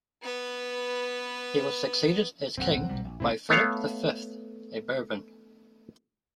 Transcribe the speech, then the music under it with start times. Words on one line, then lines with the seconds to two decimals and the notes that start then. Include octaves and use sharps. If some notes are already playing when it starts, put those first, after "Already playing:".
He was succeeded as king by Philip the Fifth, a Bourbon.
0.22 B3 B4
2.57 D1 A#1 F#2 C4 F#5
2.71 G#1 C#2 A#2
2.89 B1 A#2 G3
3.04 A#1
3.20 D#1 A#1 C#3 A3 C4 E4
3.49 A3 B3 C#5 F5